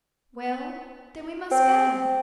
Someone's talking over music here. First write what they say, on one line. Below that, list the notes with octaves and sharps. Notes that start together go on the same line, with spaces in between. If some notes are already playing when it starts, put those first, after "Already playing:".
"Well, then we must go!"
C4